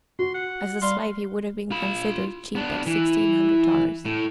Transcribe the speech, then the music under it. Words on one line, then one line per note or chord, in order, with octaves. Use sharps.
As a slave, he would have been considered cheap at sixteen hundred dollars.
F#4 C6
F#5
G3 F5 C6
F4 B5
B3 D4
E3
A2